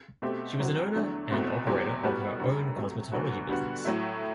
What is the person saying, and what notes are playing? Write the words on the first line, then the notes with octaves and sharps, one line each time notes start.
She was an owner and operator of her own cosmetology business.
B2 A3 C4 G4
A2 F#3 C4 F#4
E2 D3 F#3 A3 D4
C2 B2 A3 C4 F#4
E2 C3 F#3 C4 G4
A2 G3 B3 F#4
F#2 D3 G3
C3 F#3 A3
D2 D3 F#3 B3 F#4
D3 G3 B3 F#4
A2 F#3 A3 E4